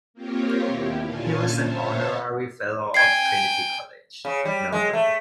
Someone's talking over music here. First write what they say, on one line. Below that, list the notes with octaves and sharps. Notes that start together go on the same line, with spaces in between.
He was an honorary fellow of Trinity College, Melbourne.
A#3 C4 F4 G4 A#4 C#5
D#2 B2 E4 G4
A#2 D3 C#4 F4 G#5 A5
C5 C#5 E5 F5 A5
G5 G#5 G#6 C7
C#3
G3
G#3
A3